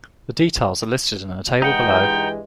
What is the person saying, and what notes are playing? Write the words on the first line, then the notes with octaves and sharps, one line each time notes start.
The details are listed in the table below.
G2 E3 G#3 D#4 F#5 G5